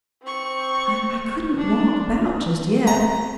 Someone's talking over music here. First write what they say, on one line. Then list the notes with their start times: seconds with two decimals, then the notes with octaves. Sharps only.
I--I couldn't walk about just yet.
0.23 C4 C#6
1.58 D4
2.87 A#5